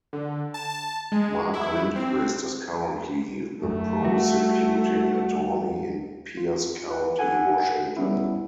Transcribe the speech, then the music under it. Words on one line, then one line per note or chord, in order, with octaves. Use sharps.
Mark Lindquist is currently the Prosecuting Attorney in Pierce County, Washington.
D3
A5
A5
G#3
E4
C4
F#2 A3
G3 F#4
F4
B4
A4 F#5 G#5
G3 B3 C#4 E4